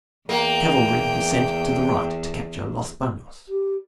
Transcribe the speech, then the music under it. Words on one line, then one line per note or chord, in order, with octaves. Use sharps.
The cavalry he sent to the right to capture Los Banos.
E2 A#3 G5
G4